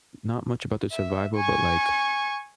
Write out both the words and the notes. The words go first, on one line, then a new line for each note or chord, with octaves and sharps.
not much about the survival, but, like,
E5
G#5 C#6